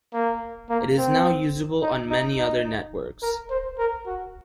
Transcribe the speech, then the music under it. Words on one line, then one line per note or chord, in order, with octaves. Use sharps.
It is now usable on many other networks.
A#3
A#3
C4
D#4
D#4
D#4
A#4
C5
A#4
F#4